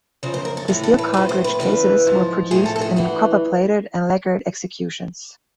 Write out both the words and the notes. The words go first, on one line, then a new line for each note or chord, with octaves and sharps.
The steel cartridge cases were produced in copper plated and lacquered executions.
F#2 C#3 F3 C5
C5
A#4
A4
A2 E3 G#4
A4
B4
A2 F3 B4
C5
B4
E2 C#3 E3 B4
G#2 F3
A2 F3 G#4
A4
A4
G#4
G2 E3 F#4